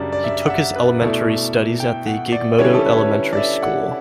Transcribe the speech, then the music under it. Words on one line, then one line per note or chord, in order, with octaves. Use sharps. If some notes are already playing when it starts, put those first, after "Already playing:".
He took his elementary studies at the Gigmoto Elementary School.
Already playing: F#2 C#3 G3 D4
D5
E5
F#5
E5
B4
B2 A3 E4 D5
G5
F#5
D5
D3 G3 C#4 E4 C#5
A4
B4
C#5
D5
E5
F#5